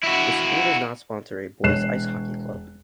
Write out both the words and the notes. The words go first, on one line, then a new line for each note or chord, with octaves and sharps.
The school does not sponsor a boys ice hockey club.
E4 F#4
E1 C#5 F#6 C7 E7